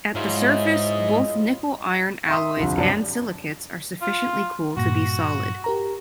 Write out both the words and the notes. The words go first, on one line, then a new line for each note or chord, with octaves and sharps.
At the surface both nickel-iron alloys and silicates are sufficiently cool to be solid.
G#2 F#3 E4 F4 D#5
E5 C6 D#6
G1 C2 F2
F#2 C3 F#3 D5 A5
F4
G2 A#2 F#4 A#6
G4 A#4 A#5